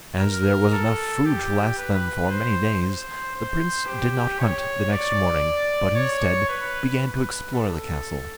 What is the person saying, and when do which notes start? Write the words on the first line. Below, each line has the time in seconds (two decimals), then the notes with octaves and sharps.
As there was enough food to last them for many days, the prince did not hunt the next morning, but, instead, began to explore the castle.
0.20 A#4
0.73 A4
1.25 G4
1.77 B4
2.29 C5
2.82 C5
3.35 C5
3.86 G4
4.40 C#5
4.92 D5
5.95 C#5
6.49 B4
7.00 B4
7.53 A4